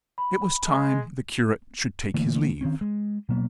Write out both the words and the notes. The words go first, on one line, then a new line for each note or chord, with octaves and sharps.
It was time the curate should take his leave.
B5
G#3
D3 E3 A3 A#3
D#3 C4 C#4
G#3
B2 F#3 A#3 B3